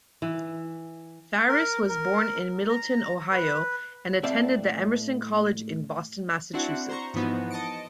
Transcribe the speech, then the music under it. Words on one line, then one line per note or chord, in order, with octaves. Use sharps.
Pharris was born in Middletown, Ohio and attended the Emerson College in Boston, Massachusetts.
E3
A#4
A#4
A#5
B4
A2 C4 D5 E5 F5 A5
C4 D4 E4 F#4 F#5
C5 A#5 C#6
G#2 E3 F3 B3 D#4 F#4
D#5 A5 A#6 C#7 D7